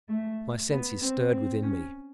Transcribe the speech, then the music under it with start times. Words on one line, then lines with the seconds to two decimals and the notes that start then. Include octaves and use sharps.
My senses stirred within me.
0.09 A3
0.71 B3
1.02 C4
1.32 C4
1.63 C#4